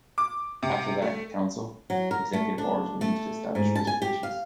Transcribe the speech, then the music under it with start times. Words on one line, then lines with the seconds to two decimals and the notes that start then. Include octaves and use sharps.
After that council, executive Orders were used to establish reservations.
0.18 D6
0.63 C3
1.02 A3
1.90 F#3
2.11 A#4
2.33 A3
2.58 D4
3.01 A3
3.55 G#2
3.75 A5
3.87 G#5
4.02 G4
4.23 F5